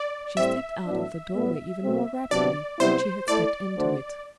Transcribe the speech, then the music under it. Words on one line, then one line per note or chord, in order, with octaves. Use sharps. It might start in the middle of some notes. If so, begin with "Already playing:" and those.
She stepped out of the doorway even more rapidly than she had stepped into it.
Already playing: D5
A2 G3 C4 E5
A2 F#3 B3 D4
A2 G3 B3
B2 F#3 A3 C4
C3 F#3 B3 D4 D5
C3 G3 B3 E4 C5
A3 E4 A4 D5
D3 A3 D4 F#4 C5